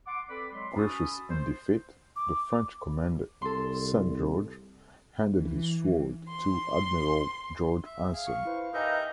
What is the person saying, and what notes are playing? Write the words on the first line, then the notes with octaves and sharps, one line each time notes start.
Gracious in defeat, the French Commander, Saint-Georges, handed his sword to Admiral George Anson.
F#5 C6 D6
C4 A4 B4 D5
F#3 G#3 C6
C#4 F#4 A4 B5 D#6
C5
D6
C2 A4 C6
E3
C6
E5
G#4 F5
C#6
E4 B4 C5
D#4 G4 A#4 B4 E5 G#5